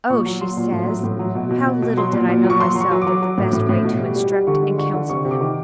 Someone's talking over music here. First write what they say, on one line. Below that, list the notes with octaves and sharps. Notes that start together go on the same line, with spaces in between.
'Oh,' she says, 'how little did I know myself of the best way to instruct and counsel them!
A#2 C#6
F#3
F#3 C6
A#2
A2
F#3
A2
F#3
B2
B2
B2
B2
F#3 C6
A#2
A#2
F#3
C#6
F#3 C6
F#3
C#6
F#3
F#3 D6
F#3
A2
A2
A2
B2
G3
G3
G3
D3 C#6
G#3
D3 C#6
D3
C3 C#6
C3
D6
D#3